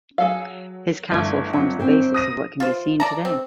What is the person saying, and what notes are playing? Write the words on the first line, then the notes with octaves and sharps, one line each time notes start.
His castle forms the basis of what can be seen today.
F#3 G#4 A4 F5
G1 A3 E4 G#6
F2 F#3
C4 C5 G5
D#6 A#6 D#7
F4 C5
D5 A5 A#5
C4